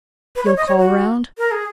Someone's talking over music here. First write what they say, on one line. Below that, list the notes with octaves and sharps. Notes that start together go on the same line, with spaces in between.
"You'll call round?"
B4
C#5
D#5
C#5
F#4
A#4
G#4